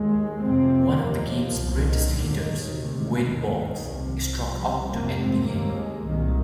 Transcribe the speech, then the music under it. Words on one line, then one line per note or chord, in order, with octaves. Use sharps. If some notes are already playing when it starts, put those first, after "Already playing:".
One of the game's greatest hitters, Wade Boggs, struck out to end the game.
Already playing: D#2 G#3
F2 C3 C4
D#2 A#3
F3
C2
A#2
D#3
D#2 D3
D#3
D2 C3
D#3
D#2 D#3
C2 C3
F3
C2 C3
G3
F2 A#3
C3
C4
D#2 A#3
G#3
C2 A#2 D#3